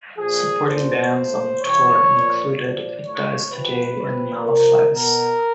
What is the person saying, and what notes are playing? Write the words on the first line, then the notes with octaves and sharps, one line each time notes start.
Supporting bands on the tour included It Dies Today and Malefice.
A#2 F3 G#4
A#2 F3 C5
A2 F3
C3 E3 C#5
A#2 F3
A#2 F3 D5
A2 F3 C#5
C3 F3 B4
C3 F3
C3 F3 A#4
B2 A#4